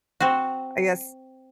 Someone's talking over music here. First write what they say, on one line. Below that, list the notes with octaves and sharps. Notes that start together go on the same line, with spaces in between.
I guess
C4 F#4